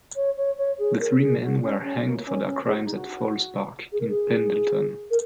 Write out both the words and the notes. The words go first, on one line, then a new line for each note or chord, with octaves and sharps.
The three men were hanged for their crimes at Falls Park in Pendleton.
C#5
C#5
C#5
G#4
A#4
G#4
F#4
C#4
C#4
A#3
A#3
C#4
C#4
G#4
F#4
D#4
F#4
G#4
A#4
G#4
A#4